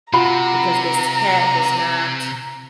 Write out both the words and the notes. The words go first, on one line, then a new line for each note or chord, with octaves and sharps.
because this cat does not,
C3 F4 F#4 A#5 B5